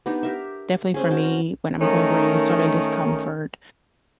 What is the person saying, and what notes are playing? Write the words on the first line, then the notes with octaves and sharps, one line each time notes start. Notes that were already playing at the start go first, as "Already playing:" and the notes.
definitely for me, when I'm going through any sort of discomfort,
B3 D4 D#4 G4
G4 A#4 E5
C4 C#4 G#4
F#4 A#4 G5 A5
D#3 A3 C#4 D#4 A#4